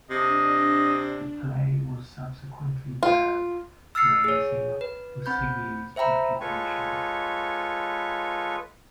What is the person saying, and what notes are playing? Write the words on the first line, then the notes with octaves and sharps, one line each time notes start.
The play was subsequently banned, raising Usigli's reputation.
C3 D4 D#5
F4
E6 F6 A6 C7 C#7
G#4 C#5
B4
C4 B5 G6
C5 E5 G5 A#5 B5
G#3 F4 A4 B4 C#5 C#6